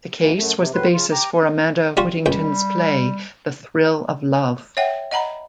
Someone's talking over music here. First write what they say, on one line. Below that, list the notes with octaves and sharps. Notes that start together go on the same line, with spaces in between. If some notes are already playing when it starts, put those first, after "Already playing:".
The case was the basis for Amanda Whittington's play "The Thrill of Love".
D2 E3
F#2 A3
C3
D2 A2 B4 C6
C#3 F4
G4 A#5 D6
G3 F4 F#4
C#2 G3 G5
C#5 E5 F#5 G5
D#5 F#5 A#5 B5